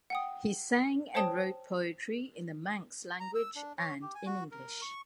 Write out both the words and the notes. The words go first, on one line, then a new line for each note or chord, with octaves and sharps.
He sang and wrote poetry in the Manx language and in English.
F#5 G5 D#6
C5 C#5 G5 A5 D#6
A#5
E6
D4
C#5
G4
G#5
F#4
A#4
C#6